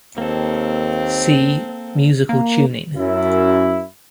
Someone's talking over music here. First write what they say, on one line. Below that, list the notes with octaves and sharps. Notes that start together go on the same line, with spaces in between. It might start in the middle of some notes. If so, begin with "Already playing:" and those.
See: musical tuning.
D#2 A#3 C4 A4
A#3
F#2 E4